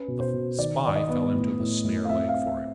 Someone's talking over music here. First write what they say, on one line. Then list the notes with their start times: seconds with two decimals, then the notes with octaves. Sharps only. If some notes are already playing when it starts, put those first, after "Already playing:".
The spy fell into the snare laid for him.
Already playing: C#4 B4
0.08 B2
0.20 C5
0.34 B2
0.58 D#3 D5
0.84 D#3 D5
0.96 D#5
1.09 B3
1.34 A2
1.59 A2
1.84 A2
2.05 F5
2.09 C4 E5
2.29 F5
2.35 C4
2.47 E5